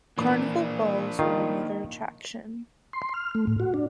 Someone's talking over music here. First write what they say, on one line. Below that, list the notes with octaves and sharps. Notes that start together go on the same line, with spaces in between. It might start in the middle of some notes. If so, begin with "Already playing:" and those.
Carnival balls were another attraction.
A#2 E3 A#3 D4
D#3 F4
C6
F6
A3
A2
F#4
D4